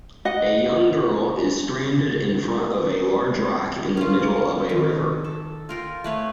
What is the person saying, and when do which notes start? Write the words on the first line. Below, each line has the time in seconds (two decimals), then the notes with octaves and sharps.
A young girl is stranded in front of a large rock in the middle of a river.
0.25 D#5 F#5
3.97 C#4 F4
4.69 D#3
5.24 A4
5.69 F4 A#4 G5
6.04 A3 B4 C#5